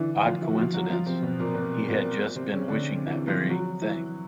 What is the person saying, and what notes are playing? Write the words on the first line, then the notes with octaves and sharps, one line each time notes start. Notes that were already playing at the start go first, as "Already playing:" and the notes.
Odd coincidence — he had just been wishing that very thing.
Already playing: D3 E3 D4 E4
F3 F4
E3 E4
F#4
F3 F4
F#3 F#4
F3 F4
C3 C4
B2 B3
A#2 A#3
B2 B3
A#2 A#3
C3 C4
C#3 C#4
D3 D4
E3 E4
F3 F4
F#3 F#4
E3 E4